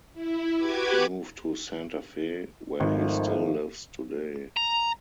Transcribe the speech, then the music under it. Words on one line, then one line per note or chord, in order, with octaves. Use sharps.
He moved to Santa Fe where he still lives today.
E4
F#4 G4 B4 D6 G#6
G#1 D#3 F3 A3
A#5